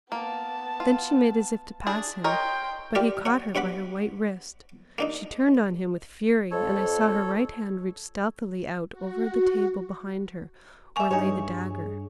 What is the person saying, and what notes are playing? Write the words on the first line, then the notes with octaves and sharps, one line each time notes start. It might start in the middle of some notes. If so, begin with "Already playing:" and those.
Then she made as if to pass him, but he caught her by her white wrist; she turned on him with fury, and I saw her right hand reach stealthily out over the table behind her, where lay the dagger.
A#3 B3 A5
F4
D4 G#4
A#4 C#5 D#5 G5 C6
F4 G4 A#4 D5 E5
C#5 F#5
G2 C#5 F#5 B5 D6
A#3 D4 D#4
F2 A4 C#5
F#4
A#3 E5 G#5 C#6
G2 D#4 G#4 C#5